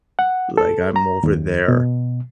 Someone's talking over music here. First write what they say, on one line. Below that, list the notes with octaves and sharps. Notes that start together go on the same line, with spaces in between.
Like, I'm over there
F#5
A4
A#5
D#2
B2